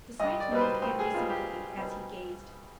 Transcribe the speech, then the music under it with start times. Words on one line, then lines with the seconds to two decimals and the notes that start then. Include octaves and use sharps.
The sight moved Genji's sympathy as he gazed.
0.20 C2 D#5
0.40 D5
0.51 B2 G3 C4 D#4 B4
0.61 C5
0.82 C2 C5
0.99 G#4
1.14 B2 G3 C4 D#4 F4
1.29 G4
1.45 C2
1.76 B2 G3 C4 D#4